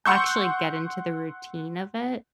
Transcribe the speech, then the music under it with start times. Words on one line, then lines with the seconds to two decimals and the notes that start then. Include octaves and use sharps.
actually get into the routine of it,
0.05 F#5 C6 C#6 E6 G6